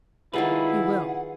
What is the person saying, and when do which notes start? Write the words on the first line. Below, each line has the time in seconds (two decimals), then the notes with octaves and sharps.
"You will."
0.33 D#3 F#3 G3 E4 F4 G#4 B4 F#5